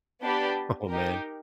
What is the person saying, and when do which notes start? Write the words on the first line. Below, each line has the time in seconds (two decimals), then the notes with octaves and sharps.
Oh, man.
0.21 B3 D4 G4 B4 D5
0.88 D#4 G4 A#4